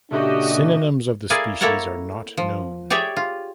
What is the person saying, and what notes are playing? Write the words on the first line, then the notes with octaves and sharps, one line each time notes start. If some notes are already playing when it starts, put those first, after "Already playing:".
Synonyms of the species are not known.
A#2 C#3 D4 F#4 G4 A4 D#5 E5
E4 G#4 A#4 D5 F5 G#5
A#3 E4 A4 A#4 C#5 F#5
F3
G4 G#4 C#5 D5 E5
F4